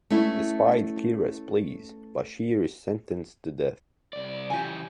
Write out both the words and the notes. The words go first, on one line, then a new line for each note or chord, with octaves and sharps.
Despite Kira's pleas, Bashir is sentenced to death.
A3 B3 C#4 E4
C2 D5
C#3 E3 G4 G#5